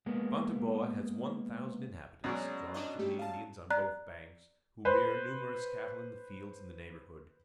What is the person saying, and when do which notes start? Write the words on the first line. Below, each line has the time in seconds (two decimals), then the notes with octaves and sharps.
Fonteboa has one thousand inhabitants, drawn from the Indians on both banks, who rear numerous cattle in the fields in the neighborhood.
0.06 G#3 A#3 B3
2.24 B2 F#3 G#3 C#4 F#4 D5
2.74 D4 D#4 D#5
2.99 A3 G4
3.19 F5 A5
3.70 D5 A#5 F#6
4.85 B4 C5